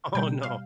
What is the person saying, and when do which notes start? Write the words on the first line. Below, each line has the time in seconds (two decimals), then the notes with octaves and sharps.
Oh, no.
0.15 B2 G3 G5
0.43 F5